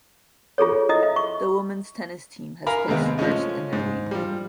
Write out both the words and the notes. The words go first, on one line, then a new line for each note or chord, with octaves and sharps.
The women's tennis team has placed first in their league.
F4 G#4 A4 C#5
E4 D#5 D#6
E5
C#6
A#4 F5 G#5 A#5 B5
D#2 C3 G#3 B3 C4 F5
F3 G#3 A3 C#4 D#5
G#2
F3 G3